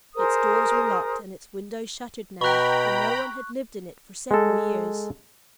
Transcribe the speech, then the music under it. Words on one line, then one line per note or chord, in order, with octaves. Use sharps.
Its doors were locked and its windows shuttered now, for no one had lived in it for several years.
G#4 A#4 C5 D#6
B2 G5 A#5 B5 C#6 F#6
G#3 A4